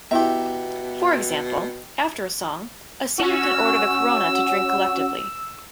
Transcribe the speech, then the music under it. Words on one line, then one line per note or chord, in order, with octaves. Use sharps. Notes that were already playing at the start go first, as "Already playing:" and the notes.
For example, after a song, a senior can order the corona to drink collectively.
B2 B3 E4 G4 E5 A#5
C#4 F#4 E6